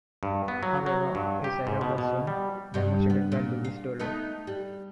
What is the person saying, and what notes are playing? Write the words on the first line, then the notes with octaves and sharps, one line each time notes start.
However, his error was soon demonstrated by Louis Dollo.
G2
B3
F#3
F#3
G2
G4
G#2
B2
B2
G3
G2 G3
B3
A#2
F5
A3 B3 D#4
G3